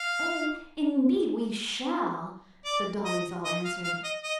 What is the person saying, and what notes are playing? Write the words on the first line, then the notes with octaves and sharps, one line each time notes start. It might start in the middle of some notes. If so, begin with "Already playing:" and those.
"Oh, indeed we shall!" the dollies all answered.
Already playing: F5
D5
D#5
D#5
F5
F5
D#5
D#5